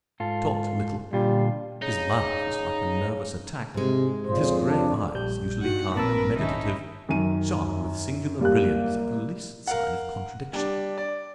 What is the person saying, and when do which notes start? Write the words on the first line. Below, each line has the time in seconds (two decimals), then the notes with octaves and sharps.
He talked little; his laugh was like a nervous attack, and his gray eyes, usually calm and meditative, shone with singular brilliance at the least sign of contradiction.
0.20 G#2 F4 A4
1.13 A#2 D3 G3 F4
1.82 C#3 D#4
3.74 G#2 C3 G#3
4.27 F2 A#2 C#3 C5
4.66 D4
5.14 A#1 G3 G6
5.62 G2 D#4 F#4 F#5
5.95 A#1 A#3 C4 A#4 B4 A5 E6
6.39 G#1 C#4 D#4 E4
7.09 F#2 D#3 D#7
8.41 G3 A#3 F#6
9.67 A#4 F5 F#5
10.53 G3 D4
10.98 D5